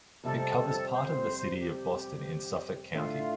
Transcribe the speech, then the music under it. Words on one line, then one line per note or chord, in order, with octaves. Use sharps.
It covers part of the city of Boston in Suffolk County.
F2 C3 G3 C4 A4
C5
G4
A2 A3 D4 F4